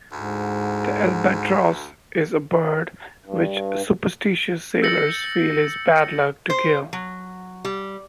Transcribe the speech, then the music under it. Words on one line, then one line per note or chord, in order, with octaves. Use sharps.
The albatross is a bird which superstitious sailors feel is bad luck to kill.
D2 G#2
G2
E6 G6 A6 A#6 C#7 F#7
C5
F#3
G3